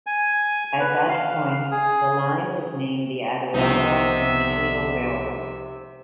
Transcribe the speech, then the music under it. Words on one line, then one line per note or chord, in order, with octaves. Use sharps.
At that point, the line was named the Adirondack Centennial Railroad.
G#5
B4
F5
G#4
C2 C3 F3 B3 C4 D#4 E5